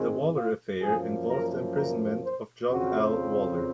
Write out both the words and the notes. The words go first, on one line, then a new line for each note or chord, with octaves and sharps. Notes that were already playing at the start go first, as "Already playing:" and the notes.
The Waller Affair involved the imprisonment of John L. Waller.
Already playing: G#2 D#3 G#3 C4
F4
F#2 F3 A#3 G#4
A#4
A#4
C5
F2 C#3 F3 C4 F#4